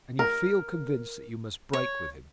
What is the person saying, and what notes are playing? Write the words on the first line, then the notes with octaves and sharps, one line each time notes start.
"And you feel convinced that you must break with him?"
A#4
C#5